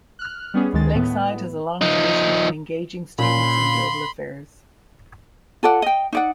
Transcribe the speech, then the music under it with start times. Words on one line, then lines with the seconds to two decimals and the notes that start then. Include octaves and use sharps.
Lakeside has a long tradition in engaging students in global affairs.
0.19 F6 F#6
0.54 G3 B3 C#4 G#4
0.73 D2 D#3 G#3 A6
0.95 A2 B3
1.81 F3 D#4
3.18 A#2 C#4 B5 C6
5.63 F4 A4 D5 F#5
5.82 D#5 G5
6.13 D#4 D5 F#5